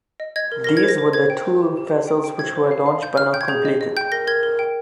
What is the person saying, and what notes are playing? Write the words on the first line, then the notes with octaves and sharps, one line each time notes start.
These were the two vessels which were launched but not completed.
D#5
D#5 G#6
A#4
A#4 A#6
G#6
C5
A#6
C5
C5 G#6
G5
C5
G4
G4
C5
G5
G5
C5 G#6
C5
F5
F5
F5 G6
F5 F6
G5 G6
G#6
G#4 G6
D#5
D#5
G5 G6
A#4 A#6
A#4 G#6
A#4
G5